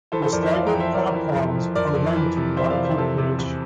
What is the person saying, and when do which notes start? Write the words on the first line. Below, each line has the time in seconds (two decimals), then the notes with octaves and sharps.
The staggered platforms are linked by footbridge.
0.12 E3 A4 C5
0.22 A4 C5
0.32 F2 A#4 D5
0.43 C5 E5
0.53 E3 D5 F5
0.66 G5 A#5
0.74 F2
0.80 C5 E5
0.94 F2 A#4 D5
1.15 E3
1.34 F2
1.55 F2
1.75 F2 A#4 D5
1.95 F2
2.16 E3
2.37 C3
2.57 E3 C5 E5
2.70 D5 F5
2.77 F2
2.84 C5 E5
2.98 C3 A4
3.18 C3
3.38 E2